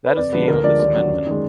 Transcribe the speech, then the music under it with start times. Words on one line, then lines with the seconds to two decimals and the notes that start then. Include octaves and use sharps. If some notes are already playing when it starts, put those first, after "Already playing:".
That is the aim of this amendment.
0.06 B4
0.17 F2 D5
0.33 D3 F3 G#3 B4
0.48 D2 A#4
0.64 D3 F3 G#3 D5
0.80 D#2 D5
0.95 D3 F#3
1.10 F#2
1.26 D#3 G#3